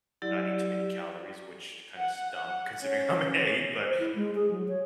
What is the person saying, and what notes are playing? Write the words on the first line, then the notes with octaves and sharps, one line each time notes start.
"Not eat too many calories," which kinda is dumb considering how many I eat. But
F#3 E4 G4 D5
F#5
F#5
C#4
C5
E4
G#3
G#4
F#3
C#5